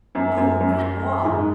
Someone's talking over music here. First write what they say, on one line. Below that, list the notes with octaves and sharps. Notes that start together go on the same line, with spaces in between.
'Oh, not all!
F#2
F#2
F#2
G#2